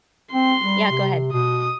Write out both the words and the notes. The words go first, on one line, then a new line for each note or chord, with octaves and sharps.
Yeah, go ahead.
C4 C6
G3
C3
B2 D#6